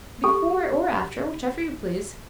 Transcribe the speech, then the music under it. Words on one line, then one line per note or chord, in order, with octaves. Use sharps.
"Before or after, whichever you please."
G4 A4